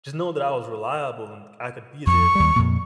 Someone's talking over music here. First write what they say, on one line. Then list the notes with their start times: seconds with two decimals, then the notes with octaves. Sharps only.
just knowing that I was reliable and I could be there,
2.07 F2 C#6
2.35 D#2 G3
2.56 F2 A#2